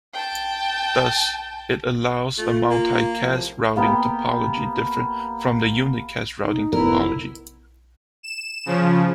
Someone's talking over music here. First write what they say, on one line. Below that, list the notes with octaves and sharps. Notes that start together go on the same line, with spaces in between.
Thus, it allows a multicast routing topology different from the unicast routing topology.
G5 A5
A3 F4
A#3
A2 C3 F3
A#3 B3 G4 G5
D#4
F1 B3 E4 A#4
E7
C#3 F3